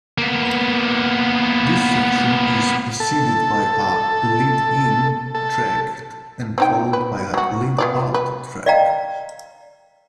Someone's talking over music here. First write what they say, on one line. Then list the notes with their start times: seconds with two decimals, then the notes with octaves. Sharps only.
This section is preceded by a "lead-in" track and followed by a "lead-out" track.
0.18 A#3 B3
3.00 A4
5.35 A4
6.58 C4 D#4 G5
6.93 B4
7.34 F#3 F#4
7.78 B3 F4 D5
8.14 B4
8.66 D5 D#5 F5 G5 A#5